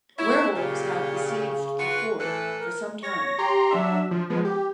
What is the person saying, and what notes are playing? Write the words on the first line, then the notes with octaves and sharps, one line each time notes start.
Werewolves have besieged the fort for some time.
E4 C#5
A#2 C#3 G4
F4 F#4 B4
A2 E3 A4 B4
A#4
C#5 A#6
G4 A#5 C6
F#3 D4 E5
F3
F3 G#3 B3
G4